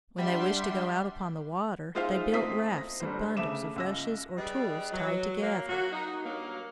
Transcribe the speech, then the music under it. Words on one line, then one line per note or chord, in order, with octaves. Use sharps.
When they wished to go out upon the water they built rafts of bundles of rushes or tules tied together.
G3 D4 E5 F#5 C6
G#3 D#4 F4 C5 E5 F5
F#1 A3 C4 D#6 B6 C7
A#6
G1 G3 C5
C#3 A3 E5 D6 E7
C#2 E6 A#6
G3 D4 G#4 B4 D#5
F#3
A#3
F#3 A#3 C#4 F#4
D#4
G2 F#3 A#3